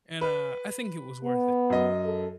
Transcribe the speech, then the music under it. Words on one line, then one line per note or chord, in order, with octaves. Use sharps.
And, uh, I think it was worth it.
B4
B3
F#2 D#5
A4